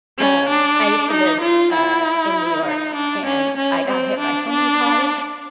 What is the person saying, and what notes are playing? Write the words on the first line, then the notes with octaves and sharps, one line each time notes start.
um, I used to live, uh, in New York, and I got hit by so many cars.
C#4
D4
D#4
F4
E4
D#4
D4
C#4
C#4
C4
D4
D4